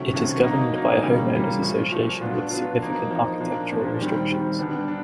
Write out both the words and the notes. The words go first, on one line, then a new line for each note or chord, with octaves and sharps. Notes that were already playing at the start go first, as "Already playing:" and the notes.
It is governed by a homeowners association with significant architectural restrictions.
Already playing: C3 D#3 F#3 A3 C#4
C3 D#3 F#3 A3 C#4
F#3 A#3 D#4
F#3 A#3 D#4
C#3 E3 G3 A#3
C#3 E3 G3 A#3
A#2 F3 A3
A#2 F3 A3
F#3 B3 D4 F4
F#3 B3 D4 F4
F3 A#3 D#4
F3 A#3 D#4
A#2 F3 A#3 D4
A#2 F3 A#3 D4
D#3 G3 C4
D#3 G3 C4
D3 G3 B3 D4
D4